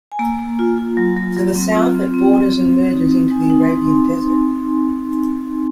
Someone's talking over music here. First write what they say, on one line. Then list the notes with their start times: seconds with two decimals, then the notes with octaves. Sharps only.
To the south it borders and merges into the Arabian Desert.
0.12 G#5
0.19 A#3 A#5
0.39 A#3
0.59 F4
0.78 F4
0.97 F#3
1.17 F#3
1.37 F#3
1.56 C4
1.75 F4
1.95 C4
2.14 C4
2.34 C4
2.52 C4
2.73 C4
2.92 D#4
3.11 C4
3.30 D#4 G#5
3.50 D#4
3.62 C6